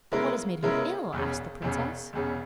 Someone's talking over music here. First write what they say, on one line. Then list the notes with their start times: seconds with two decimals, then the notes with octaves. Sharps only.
'But what has made him ill?' asked the princess.
0.12 C#3 G#3 B3 E4 A#4
0.63 C#3 G#3 B3 E4 A#4
1.13 E1 E2 C#3
1.62 E1 E2 C#3
2.13 E1 E2 C#3